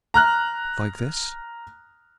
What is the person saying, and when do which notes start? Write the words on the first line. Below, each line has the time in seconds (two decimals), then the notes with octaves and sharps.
"Like this?"
0.14 A#5 F6 F#6